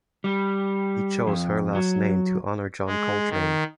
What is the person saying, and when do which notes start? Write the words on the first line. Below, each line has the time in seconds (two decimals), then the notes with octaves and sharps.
He chose her last name to honor John Coltrane.
0.24 G3
1.27 F2
1.75 F#3
2.87 G#3
3.30 D#3